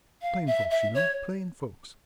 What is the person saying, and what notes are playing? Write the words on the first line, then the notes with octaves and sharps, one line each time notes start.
Plain folks, you know--plain folks.
F5
E5
E5
C#5